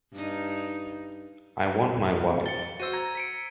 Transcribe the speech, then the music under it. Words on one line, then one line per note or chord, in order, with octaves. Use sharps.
I want my wife.
G2 D#4
A6 C#7 G7
F#4 C5 E6 D#7
A#5 G#6
B6 C#7 D7